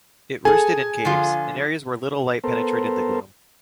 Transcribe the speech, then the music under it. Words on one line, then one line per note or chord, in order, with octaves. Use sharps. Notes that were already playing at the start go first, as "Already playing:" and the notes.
It roosted in caves, in areas where little light penetrated the gloom.
G#4 A4 G#5
D3 F3 F4
B3 A4 A#4 C5